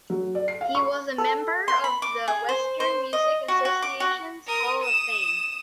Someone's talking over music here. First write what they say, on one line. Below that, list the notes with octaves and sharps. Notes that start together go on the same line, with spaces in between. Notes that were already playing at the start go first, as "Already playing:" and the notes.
He was a member of the Western Music Association's Hall of Fame.
F#3
D5
C7
F5
C#6
A4
C6
B5
D6
G#4
C5
C5
D#5
F#4
F#4
D6
F#4
A#4 D#6
D#6 E7